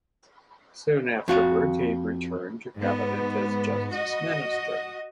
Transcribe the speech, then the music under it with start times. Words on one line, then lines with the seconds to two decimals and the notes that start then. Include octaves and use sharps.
Soon afterward, he returned to cabinet as Justice Minister.
1.28 F2 F#4 F5
2.76 G#2 B3
3.91 F#4 D#5